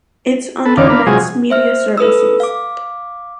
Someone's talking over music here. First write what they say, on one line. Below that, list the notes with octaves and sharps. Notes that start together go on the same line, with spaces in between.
Its under Next Media Services.
A4 B4
E2 D3 D#3 D5 F5
A#3 D4 B4 F5
C3 F3 F#3 G#3 G#4
C5 E5 F6
A4 B4 D#6 E6
F5 D6